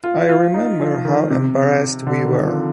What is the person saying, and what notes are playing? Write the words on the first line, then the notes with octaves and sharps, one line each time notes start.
I remember how embarrassed we were.
F4
F4
D#4
F3
D#3
C3
D3
D#3
F3